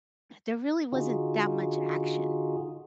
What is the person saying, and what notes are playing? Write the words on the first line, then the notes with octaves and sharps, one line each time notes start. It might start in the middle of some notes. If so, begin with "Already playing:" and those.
there really wasn't that much action.
D3 D#4 F4 F#4 G#4